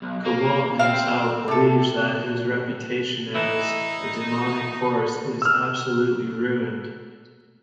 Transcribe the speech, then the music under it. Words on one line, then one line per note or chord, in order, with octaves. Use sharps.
Kobalt himself believes that his reputation as a demonic force is absolutely ruined.
B1
A#3
C4 F5
C3 A4
E3 D#4 E4
E6 F6